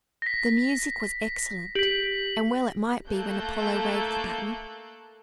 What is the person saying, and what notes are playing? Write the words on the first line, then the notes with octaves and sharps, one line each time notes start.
The music was excellent, and well it might be when Apollo waved the baton.
A#6 B6
G4 B6 F#7
A3 A#3 A4 F#6 G6